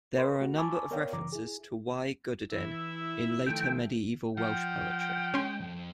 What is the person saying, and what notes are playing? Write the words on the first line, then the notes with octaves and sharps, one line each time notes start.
There are a number of references to "Y Gododdin" in later Medieval Welsh poetry.
A#4 B4 D#5 B5 C6
A3 F#4
G#5 A5 B5 C#6 D6 E6
B3 A#4 C#5 D5 F5 G5
F#2 C#3 E3 A#5 D6
E4 G#4
E3 E4 E5
D#3 F3 A3 G5
F3 F#5 G5
G#3 C#4 C6
F2